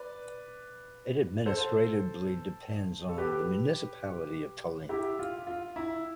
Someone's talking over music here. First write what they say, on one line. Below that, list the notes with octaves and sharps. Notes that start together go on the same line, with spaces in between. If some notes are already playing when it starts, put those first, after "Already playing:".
It administratively depends on the municipality of Tallinn.
Already playing: B4 D5
A4 C5
A4
G4 B4
E4 G4
F4
F4
E4